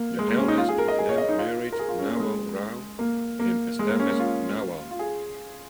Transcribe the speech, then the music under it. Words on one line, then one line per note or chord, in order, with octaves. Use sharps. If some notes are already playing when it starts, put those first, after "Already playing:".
The eldest of them married Nawal Rao and established Nawal.
Already playing: A#3
G#3
A#3
C#4
D#4
F4
G#4
A#4
D#5
G#4
C#5
D#5
D#4
F4
A#4
G#4
F4
C#4
A#3
G#3
A#3
A#3
G#3
A#3
C#4
A#3
F4
F4
G#4